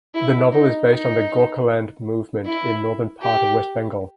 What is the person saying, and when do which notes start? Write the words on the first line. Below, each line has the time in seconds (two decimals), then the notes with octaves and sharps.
The novel is based on the Gorkhaland movement in northern part of West Bengal.
0.15 E4
0.53 D#4
0.91 D#4
2.46 E4
3.22 G4